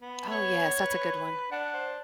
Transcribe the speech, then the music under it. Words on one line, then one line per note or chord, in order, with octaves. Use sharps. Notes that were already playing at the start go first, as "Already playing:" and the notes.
Oh, yes, that's a good one.
B3
C#5
B4
D4 F#5
C5